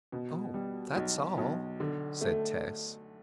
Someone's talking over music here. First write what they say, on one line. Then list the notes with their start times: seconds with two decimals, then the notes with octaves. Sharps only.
"Oh--that's all!" said Tess.
0.12 B2
0.54 G3
0.96 B1
1.38 B1
1.80 D3
2.21 A3